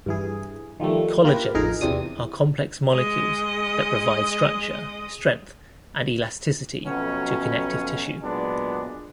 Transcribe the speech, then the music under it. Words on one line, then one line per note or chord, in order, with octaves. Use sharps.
Collagens are complex molecules that provide structure, strength, and elasticity to connective tissue.
G2 E3 G#4
D#3 F3 G3 A3
A#3 F4 G4 A#4 B4
A1 F2 D#4 G#4 A#4
E2 C3 C4 D4 D#6
G#3 D#5
F2 B2 F#3 A3 C#4
A#2 F#3 G#3 B3 D4